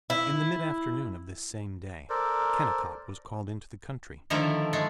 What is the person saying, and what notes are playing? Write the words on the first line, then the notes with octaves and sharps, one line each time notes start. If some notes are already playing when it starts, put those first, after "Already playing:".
In the mid-afternoon of this same day Kennicott was called into the country.
E4
A4 A#4 C5 D5
D3 D#3 F3 A3 E4 A#4
G#3 A3